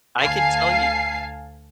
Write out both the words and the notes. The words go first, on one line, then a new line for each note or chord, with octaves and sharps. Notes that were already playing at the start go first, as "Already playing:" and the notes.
I can tell you
D2 F5 G#5 A5 C7